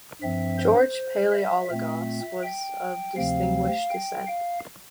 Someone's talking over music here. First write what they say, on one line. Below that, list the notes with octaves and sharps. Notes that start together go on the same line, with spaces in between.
George Palaiologos was of distinguished descent.
G2 F3 C4 E5
C5
E5
A#2 A3 C4 E5
G5
D2 C3 F3 C4 F5
G5
F5